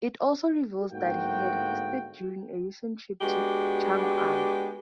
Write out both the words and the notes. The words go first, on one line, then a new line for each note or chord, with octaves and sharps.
It also reveals that he had feasted during a recent trip to Ch'ang-an.
G1 G#2 A#3 F#4 G5
G#3 B3 D4 F#4 G4